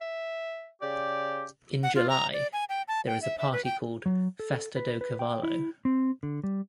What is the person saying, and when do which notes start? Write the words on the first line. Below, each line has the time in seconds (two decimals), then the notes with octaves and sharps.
In July there is a party called "Festa do Cavalo".
0.01 E5
0.81 C#3 G4 D5
1.83 F#5
1.95 F4
2.09 A#5
2.33 D5
2.53 G#5
2.69 G5
2.88 A5
3.07 G5
3.22 E5
3.38 E5
3.53 B4
3.65 G5
4.06 F#3
4.40 A4
4.76 B4
5.01 B4
5.19 G5
5.43 E4
5.85 C4
6.23 D3
6.44 G3